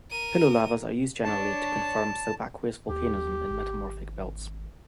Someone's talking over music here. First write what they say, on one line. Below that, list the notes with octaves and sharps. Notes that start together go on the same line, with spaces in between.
Pillow lavas are used generally to confirm subaqueous volcanism in metamorphic belts.
A#4 D#7
D4 C#5 A5
D#2 G4
G#1